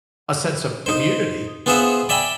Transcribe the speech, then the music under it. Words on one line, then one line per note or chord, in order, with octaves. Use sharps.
a sense of community,
D#4 C5
B3 F4 G#4 C5 E5 F#5
D5 E5 G5 G#5 B5